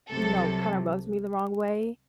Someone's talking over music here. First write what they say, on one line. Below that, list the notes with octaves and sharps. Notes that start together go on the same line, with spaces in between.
you know, kinda rubs me the wrong way.
C2 C3 F#3 A4